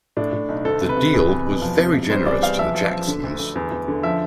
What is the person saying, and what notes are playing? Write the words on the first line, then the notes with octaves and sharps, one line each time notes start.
The deal was very generous to the Jacksons.
A2 D4
A2
B1
D2 A4
C3
B4
C3
E2
E2
B2
F3
C3
C3
G3 C5
E2 D5
E2 F5
F3 E5
F3
F3
D3
D2
D2
E2
E2
D3
F3 E5